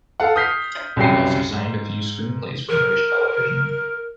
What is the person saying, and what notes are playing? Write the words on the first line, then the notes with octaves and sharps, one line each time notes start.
He also signed a few screenplays for British television.
A4 F5 F#5
D#6 F6 G6 B6 C7
C2 F#2 C#3 G5 C7
G#2
A#4